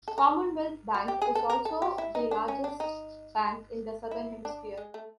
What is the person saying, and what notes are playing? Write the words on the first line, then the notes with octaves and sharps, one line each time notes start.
Commonwealth Bank is also the largest bank in the Southern Hemisphere.
A4
A#4
F#4
G4
G#4
A4
A#4
A4
G4
E4
D#4
D4
C#4
D4
D#4
E4
D4
G#3
A3